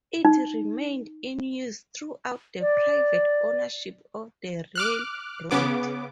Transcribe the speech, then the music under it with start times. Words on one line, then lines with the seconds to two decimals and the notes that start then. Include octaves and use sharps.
It remained in use throughout the private ownership of the railroad.
0.25 D#4
2.61 D5
4.75 D6 F6 F#6
5.51 C#3 B3 D6